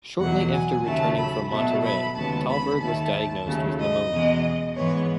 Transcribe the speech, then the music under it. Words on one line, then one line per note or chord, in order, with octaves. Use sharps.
Shortly after returning from Monterey, Thalberg was diagnosed with pneumonia.
E2 B2 F#3 F#5
G#5
D#2 C#3 F#3 A3 A5
B5
B2 F#3 A3 A5
B5
D#2 C#3 G#3 B3 A5
B5
D#2 D#3 A3 A5
D#2 C#3 F#3 A3
D#5
E2 B2 G#3
G#2 E3 G#3 B3 C#5